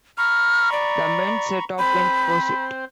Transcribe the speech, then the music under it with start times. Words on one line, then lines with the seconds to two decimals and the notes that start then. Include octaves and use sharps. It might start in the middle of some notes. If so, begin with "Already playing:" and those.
The men set off in pursuit.
0.18 A#5 B5 C#6 F6
0.72 D5
1.79 C4 C5 B5